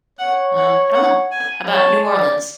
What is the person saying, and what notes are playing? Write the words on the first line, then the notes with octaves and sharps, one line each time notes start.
Um, I don't know. How 'bout New Orleans
C#5 F#5
F#5
F#5
G#5
C#5 A5
D5